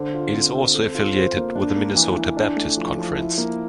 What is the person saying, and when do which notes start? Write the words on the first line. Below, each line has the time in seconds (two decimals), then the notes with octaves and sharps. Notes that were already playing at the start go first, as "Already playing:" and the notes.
It is also affiliated with the Minnesota Baptist Conference.
Already playing: D3 C5
0.14 F4
0.34 C4
0.54 C4
0.75 A4
0.95 F4
1.15 C5
1.36 A#3
1.55 D4
1.76 A#3
1.96 E3
2.16 E3
2.37 D4
2.56 A3
2.77 F3
2.98 F3
3.18 E4
3.38 A#3